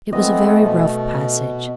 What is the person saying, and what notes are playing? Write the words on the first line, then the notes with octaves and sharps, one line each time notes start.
It was a very rough passage.
E3 A3 B3 C4 D#5
B2